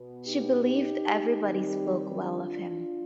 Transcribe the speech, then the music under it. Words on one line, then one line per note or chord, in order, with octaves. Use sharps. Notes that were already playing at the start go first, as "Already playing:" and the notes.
She believed everybody spoke well of him.
Already playing: B2 B3
D#4 G4
D#4 G4
D#3 G3 C4
D4 F4